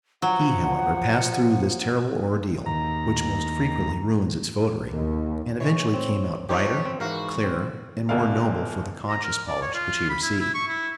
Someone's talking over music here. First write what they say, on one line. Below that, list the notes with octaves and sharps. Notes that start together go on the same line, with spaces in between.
He, however, passed through this terrible ordeal, which most frequently ruins its votary, and eventually came out brighter, clearer and more noble for the conscience-polish which he received.
F3 F#3 F#5
D#2 A#5
D#2
E3 G#3 C#5
C4
F3 G3 C#4 D#4 G4 C#5
C4
G#2 E3 F#4 A#4 F5
C4
D1 B2 D3 A#4 F5
A#5
A#4
D5
C#5
F4
B5
E4
E4
C#6
E4